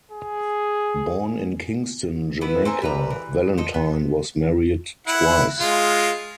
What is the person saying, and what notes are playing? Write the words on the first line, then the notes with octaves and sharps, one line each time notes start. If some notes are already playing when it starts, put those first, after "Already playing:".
Born in Kingston, Jamaica, Valentine was married twice.
G#4
E3 B3 E4 B4
C4 A4 A#4 G#5
G3 B4 A#5
E3
F3 A4 D#5
B3
E4 F#5
G#3 F4